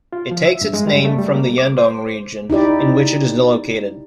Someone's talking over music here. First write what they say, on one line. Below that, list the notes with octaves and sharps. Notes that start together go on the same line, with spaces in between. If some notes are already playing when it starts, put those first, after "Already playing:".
It takes its name from the Yeongdong region, in which it is located.
F4
F3
E5
G2
G#3
G3
A3
G3
A#3
D6
C5
D#4 E4 G4 D5